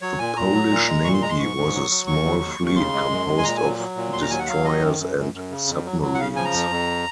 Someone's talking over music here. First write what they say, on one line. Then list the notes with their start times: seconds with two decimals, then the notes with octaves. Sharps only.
The Polish Navy was a small fleet composed of destroyers and submarines.
0.01 F#3 C#5
0.19 A#2 G#5
0.36 A#2 A#5
0.53 F#3
0.70 A#2
0.87 G#3
1.04 A#2 C#6
1.14 C6
1.22 G#3 A#5
1.30 C6
1.39 G#2 C#6
1.57 G#2
1.74 F#3
1.91 F#3
2.07 D#2 C#6
2.24 F#3
2.42 D#2
2.58 D#2
2.66 C#6
2.76 C#3 C6
2.93 G#3
3.10 F#2
3.28 G#3
3.38 G#5
3.44 A#2 A#5
3.56 G#5
3.62 F#3
3.79 F#3
3.96 A#2
4.13 D#2 C6
4.22 A#5
4.30 F#3 G#5
4.39 F#5
4.47 F#3 F5
4.64 D#3 D#5
4.82 F#2
4.99 F#2
5.16 F#2
5.33 F#2
5.51 C#3
5.67 F2
5.85 F#3
6.02 F#3
6.15 F#5
6.19 C#3 F5
6.36 F3 G#5
6.45 A#5
6.53 F2
6.71 F2